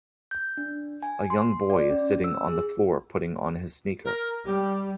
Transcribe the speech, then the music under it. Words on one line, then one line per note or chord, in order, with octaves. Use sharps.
A young boy is sitting on the floor putting on his sneaker.
G6
D4
G#5
C6
D5
C#4
E6
G#4
A#4
G3 G4